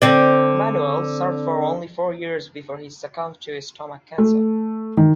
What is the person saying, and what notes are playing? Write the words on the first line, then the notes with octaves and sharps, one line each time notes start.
Manuel served for only four years before he succumbed to stomach cancer.
D3 C4 D5
A3
D#3